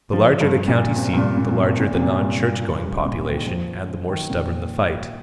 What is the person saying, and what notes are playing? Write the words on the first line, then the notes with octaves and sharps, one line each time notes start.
The larger the county-seat, the larger the non-church-going population and the more stubborn the fight.
F3
G2
A#2
C3
G2
A#2
A#2
A#2
C3
A#2
C3
A#2
G2
A#2
G2
A#2
D#3
F3
F3
D#3
A#2